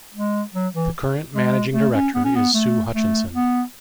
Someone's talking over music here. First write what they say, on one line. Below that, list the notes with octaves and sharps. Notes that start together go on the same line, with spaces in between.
The current Managing Director is Su Hutchinson.
G#3
F#3
E3
G#3
A3
C#4
B3
C#4
B3
A3
A3
B3